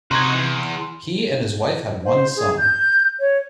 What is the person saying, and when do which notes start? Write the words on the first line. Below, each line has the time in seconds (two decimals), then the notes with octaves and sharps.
He and his wife had one son.
0.11 C3 D#4 F#4 C6 G#6
0.34 E2
2.04 C5
2.36 G#4
2.58 G6
3.20 C#5